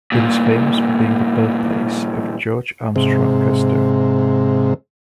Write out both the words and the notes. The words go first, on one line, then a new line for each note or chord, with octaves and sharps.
It is famous for being the birthplace of George Armstrong Custer.
G2 A#2
G#2 C3